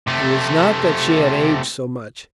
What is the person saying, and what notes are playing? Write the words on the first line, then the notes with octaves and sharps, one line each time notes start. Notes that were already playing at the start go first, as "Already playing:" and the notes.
It was not that she had aged so much.
C3 A3